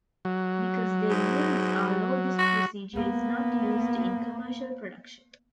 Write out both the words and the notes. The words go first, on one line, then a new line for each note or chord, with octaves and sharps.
Because the yields are low this procedure is not used in commercial production.
F#3
G#2
F#4
A#3 B3